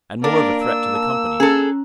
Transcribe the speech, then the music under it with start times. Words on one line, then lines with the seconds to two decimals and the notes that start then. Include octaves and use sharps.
And more of a threat to the Company.
0.24 A#3 D4 A#4 D5 A6
0.63 E6
0.95 A5
1.40 C#4 G#4 A4 A#5 F#6